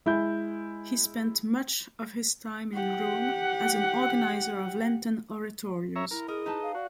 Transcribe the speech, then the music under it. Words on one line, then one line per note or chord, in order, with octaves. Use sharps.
He spent much of his time in Rome as an organiser of Lenten oratorios.
G#3 E4 E5 G6
G4 F#5
C#5 E5 A#5
E4 A#4
G#4 A#4 D#5
D#4 B4 A5
F5
F#4 D5